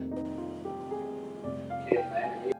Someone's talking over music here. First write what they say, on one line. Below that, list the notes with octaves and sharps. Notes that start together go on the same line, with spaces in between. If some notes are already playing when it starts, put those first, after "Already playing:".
Brisbane Water National Park is vulnerable to various environmental threats.
Already playing: F1 F2 C3 D#3 A#3
D#4
F4
G4
G#4
F1 F2 C3 D5
F5
G5
G#5